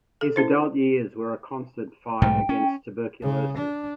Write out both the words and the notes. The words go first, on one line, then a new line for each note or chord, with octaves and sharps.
His adult years were a constant fight against tuberculosis.
A4
C#4 E4 C5
B1 G#2 A3 G5
C#4
C#3
D4